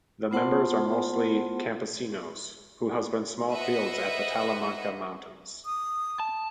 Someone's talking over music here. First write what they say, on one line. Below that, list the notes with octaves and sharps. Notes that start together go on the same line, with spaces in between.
The members are mostly campesinos, who husband small fields at the Talamanca mountains.
B3 F4 C5 F#5 A5 C6
B4 C5 D#5 E5 F#5
D#6
A5